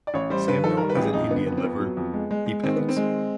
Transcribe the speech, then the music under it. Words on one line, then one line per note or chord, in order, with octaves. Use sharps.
Samuel has an Indian liver. He pegs.
D5
A1 C#5
G3 C5
G2 B4
D#3 A4
G3 A#4
B4
A1 G4 G#4
F2 D#4
D3 B3
F2 B3
C4
F2 B3
F#3
F2
G#3
G#3
G#3
D#3 C4
D#3 B3
C4
G#3